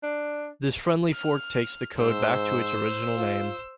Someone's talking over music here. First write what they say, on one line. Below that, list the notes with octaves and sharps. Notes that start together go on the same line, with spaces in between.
This friendly-fork takes the code back to its original name.
D4
F6
G#2 C5 E6
F4